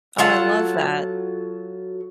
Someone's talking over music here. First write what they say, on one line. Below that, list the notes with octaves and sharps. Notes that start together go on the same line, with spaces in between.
Oh, I love that.
F#3 F4 A4 F#5